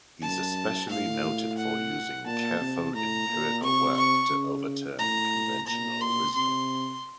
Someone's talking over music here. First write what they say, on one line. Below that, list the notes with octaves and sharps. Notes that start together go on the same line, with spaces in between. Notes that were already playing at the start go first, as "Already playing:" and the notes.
He's especially noted for using careful empirical work to overturn conventional wisdom.
F#2 A5
A2 F5
F#5
A#2 A5
C3
A2 A#5
A#2
C3 C#6
C#6
C#3
A2 A#5
A#2 A#5
C6
C3 C6